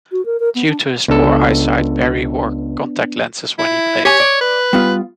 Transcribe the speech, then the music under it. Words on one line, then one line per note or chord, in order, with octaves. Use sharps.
Due to his poor eyesight, Berry wore contact lenses when he played.
F#4
A#4
A#4
B3
D4
C#2 B3 D4 A4
E4
G4 C#5 G#5
D5
B4
G3 B3 F4